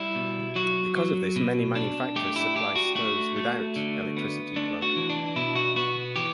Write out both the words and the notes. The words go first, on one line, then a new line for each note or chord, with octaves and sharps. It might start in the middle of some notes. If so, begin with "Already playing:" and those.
Because of this many manufacturers supply stoves without electricity plug.
Already playing: G3 E4
B2
F#3 F#4
F#3
B2
D4
A3 G4
E4
D4 G4
F#4
A3 F#4
A3
D3
B3
A3 D4
F#4
E3
D4
B2 E4
F#4
B3 F#4
E3 G4